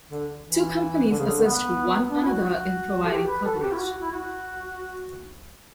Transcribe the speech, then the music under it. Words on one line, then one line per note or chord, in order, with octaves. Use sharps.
The two companies assist one another in providing coverage.
D3
E3
D3
C#3
D3
B3
D4
E4
F#4
F#4
A4
G4
B4
A4
F#4
G4
E4
F#4
E4
F#4